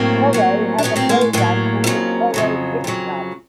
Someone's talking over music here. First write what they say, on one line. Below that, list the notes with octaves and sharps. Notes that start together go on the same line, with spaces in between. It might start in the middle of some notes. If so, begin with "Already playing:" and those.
Toro has a program called the Toro Kids Club.
Already playing: A2 F#3 A#3 C4
A2 F#3
D4
A2 F#3 B3 C#4
A#3 C4
G#3 A#3
G#3
A2 F#3 G#3 A#3
F2 C#3 F#3
F2 C#3 F#3
F2 C#3 F#3